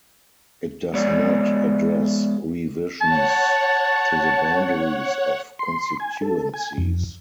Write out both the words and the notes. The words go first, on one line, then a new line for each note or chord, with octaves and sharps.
It does not address revisions to the boundaries of constituencies.
G#3 B3 C#5 D5
C#5 F#5 A5
C6
G#5
A4
G#5
F2